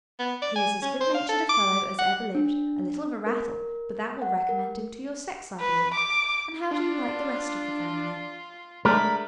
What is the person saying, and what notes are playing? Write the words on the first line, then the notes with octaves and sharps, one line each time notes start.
"He is as good-natured a fellow as ever lived; a little of a rattle; but that will recommend him to your sex, I believe: and how do you like the rest of the family?"
B3
D5
G#5
C#4
C5
F5
A4
D6
F#5
D4
A#4
F#5
A#4
B4
D6
D4 F4
G#3 A3 D4 A#4 B5